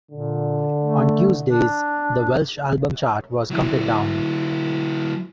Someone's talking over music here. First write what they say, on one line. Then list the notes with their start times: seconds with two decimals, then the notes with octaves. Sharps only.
On Tuesdays, the Welsh album chart was counted down.
0.11 A#2 D3
0.81 A3
1.49 D4
3.51 F#3 E4